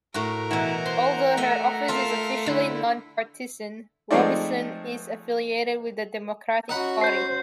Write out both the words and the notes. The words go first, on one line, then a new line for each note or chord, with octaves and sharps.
Although her office is officially non-partisan, Robison is affiliated with the Democratic Party.
A2 F#4 A#4
B2 E3 E4 F#5 A#5
C5 C6
A3 D#5 E5
F4 A4 A#4 E5 F5
D3 E4
F3 G#3 A3 C4 D#4 D5
C#4 D#4 F#4 F#5 B5
C5 G6 C7